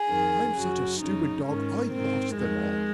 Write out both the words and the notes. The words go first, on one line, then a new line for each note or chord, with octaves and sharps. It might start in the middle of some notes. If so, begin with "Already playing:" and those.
I'm such a stupid dog I lost them all!
Already playing: G#4
F2 D#3
F#2 C#3 F#4
F#2 C#3 D#4
G#2 D#3 C#4
G#2 D#3 C4
F2 D#3 G#3